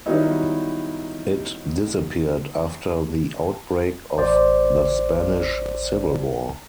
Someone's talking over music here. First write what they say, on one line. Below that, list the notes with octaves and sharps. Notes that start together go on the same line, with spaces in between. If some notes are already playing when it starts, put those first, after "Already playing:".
It disappeared after the outbreak of the Spanish Civil War.
D#3 F#3 G3 B3 D#4 E4
A1 C5 D5